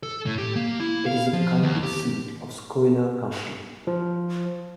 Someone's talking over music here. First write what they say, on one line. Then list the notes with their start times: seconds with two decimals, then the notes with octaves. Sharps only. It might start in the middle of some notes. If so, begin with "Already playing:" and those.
It is the county seat of Schuyler County.
0.03 A4
0.26 A2
0.38 G4
0.56 A#3
0.80 E4
1.06 F5
1.33 F3
1.63 D#2
1.83 G4
3.87 F3